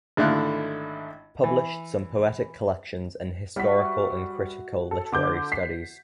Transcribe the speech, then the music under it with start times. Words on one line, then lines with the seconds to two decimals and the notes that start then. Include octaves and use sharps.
Published some poetic collections and historical and critical literary studies.
0.17 G#1 D3 A3 E4 F5 F#6
1.44 E3
3.56 G3 F#4 E5 F#5 B6
4.91 A4
5.12 D3 D6 G6
5.52 B6 C7